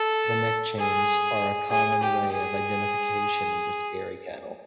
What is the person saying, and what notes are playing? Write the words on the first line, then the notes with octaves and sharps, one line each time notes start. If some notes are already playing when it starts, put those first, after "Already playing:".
The neck chains are a common way of identification with dairy cattle.
Already playing: A4
G#4
G#4
G4
G#4